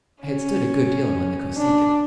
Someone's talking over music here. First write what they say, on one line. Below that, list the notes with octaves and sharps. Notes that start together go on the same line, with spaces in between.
I had stood a good deal among the Kosekin.
C#4
D4